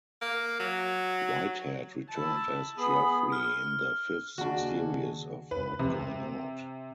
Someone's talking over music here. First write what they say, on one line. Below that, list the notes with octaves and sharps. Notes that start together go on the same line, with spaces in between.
Whitehead returned as Geoffrey in the fifth series of "Not Going Out".
A#3
F#3
E4 A5
B3 G#4 B5
F6
D#2 C#3 D4 F#4
B4
C3